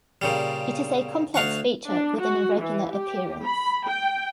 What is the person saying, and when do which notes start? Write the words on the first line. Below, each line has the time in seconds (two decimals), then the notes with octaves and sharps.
It is a complex feature with an irregular appearance.
0.22 A#2 C#3 G3
1.34 D2 F5 F#5 C#6
1.90 D4
2.21 F#4
2.60 E3
2.93 G4
3.45 B5
3.89 G5